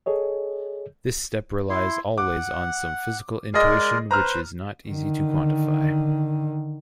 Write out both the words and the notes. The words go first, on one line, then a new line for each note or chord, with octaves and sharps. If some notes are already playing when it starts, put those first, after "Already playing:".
This step relies always on some physical intuition which is not easy to quantify.
G#4 A4 C#5 D#5
E4 C6
F#5 D6
G#3 G#4 A#4 D5 D#5
B4 C5 A#5 F6
D3 D#3